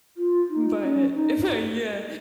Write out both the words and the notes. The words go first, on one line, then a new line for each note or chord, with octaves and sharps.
but if I Yeah.
F4
D#4
C#4
D#4